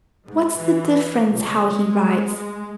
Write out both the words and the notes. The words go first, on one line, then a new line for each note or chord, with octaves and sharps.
What's the difference how he writes?
G#2
E3
C#2
G#3
G#3